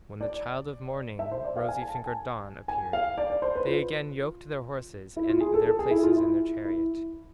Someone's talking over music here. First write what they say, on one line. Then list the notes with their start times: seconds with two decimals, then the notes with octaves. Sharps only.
When the child of morning, rosy-fingered Dawn, appeared, they again yoked their horses and their places in the chariot.
0.21 D5
1.19 E5
1.32 C5
1.44 D5
1.56 F5
1.69 G#5
1.82 A5
1.94 A5
2.06 G#5
2.68 G#5
2.93 F5
3.18 D5
3.30 D5
3.42 C5
3.55 B4
3.67 F4
5.17 E4
5.29 F4
5.41 G#4
5.54 A4
5.66 A4
5.79 G#4
5.91 E4
6.03 F4
6.16 E4
6.65 E4